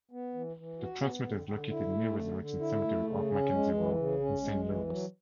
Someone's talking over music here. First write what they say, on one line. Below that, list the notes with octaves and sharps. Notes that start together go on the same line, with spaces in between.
The transmitter is located near Resurrection Cemetery off Mackenzie Road in Saint Louis.
B3
E3
E3
F#4
B3
D3
D3
E4
A3
D3
D3
E4
A3
C#3
C#4
G#3
E3
C#3
C#4
G#3
E3
F#3